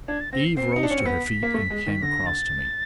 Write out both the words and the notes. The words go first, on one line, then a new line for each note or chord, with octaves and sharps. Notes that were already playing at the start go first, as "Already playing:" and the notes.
Eve rose to her feet and came across to me.
D4 G#6
A6
C4 A#6
C7
C4 C7
D#4 C#7
D4
C#4 C#7
C4
B3 B6
A#3
A3
G#3
D#3
D3 A#6
A6